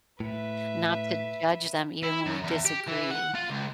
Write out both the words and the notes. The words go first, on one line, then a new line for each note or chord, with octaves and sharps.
not to judge them even when we disagree,
A2 B4 E5
E4
F#2
E2
G4
E3
F#5
F4
C#2